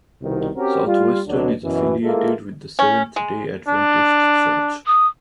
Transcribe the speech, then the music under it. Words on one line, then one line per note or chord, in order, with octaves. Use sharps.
Southwestern is affiliated with the Seventh-day Adventist Church.
C2 B2 D#3
C4 C#4 F#4 G4 A#4
G3 F4
D2 B2 F#3 D4
F#2 B2 E3
G#3 A#3 B3 E4 F4 A4
C#4
G#3
D4
D#6